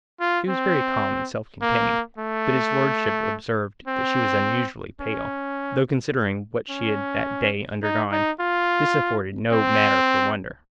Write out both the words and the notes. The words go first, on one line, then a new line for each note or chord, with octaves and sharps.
She was very calm and self-contained; but his lordship observed that she was unusually pale, though considering what she had that day undergone this afforded no matter for wonder.
F4
C4
A#3
A3
C4
C#4
C#4
D#4
D#4
F4
C4